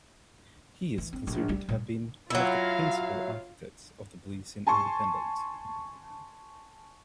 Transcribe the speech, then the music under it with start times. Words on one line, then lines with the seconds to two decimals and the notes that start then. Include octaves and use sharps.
He is considered to have been one of the principal architects of Belizean independence.
0.98 E3
1.13 C4
1.27 A#1
1.49 G3
1.69 A#2
2.30 F#3 E4 F4 F5
4.67 G#5 A5 C6 C#6